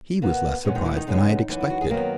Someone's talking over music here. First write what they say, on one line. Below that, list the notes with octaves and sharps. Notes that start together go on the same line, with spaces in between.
He was less surprised than I had expected.
E2 B2 A#3 B3
A#2 G#3 B3 C#4
D#3 D#4
E3 E4
D#3 D#4
F#2 C#3 G#3 B3
F#2 E3 B3
E4
F#4
G#4
F#2 D#3 F#3 A#3 B3 A#4